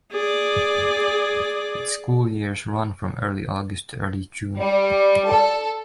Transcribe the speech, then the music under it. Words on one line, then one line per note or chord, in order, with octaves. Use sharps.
Its school years run from early August to early June.
G#4 D5
G3
A4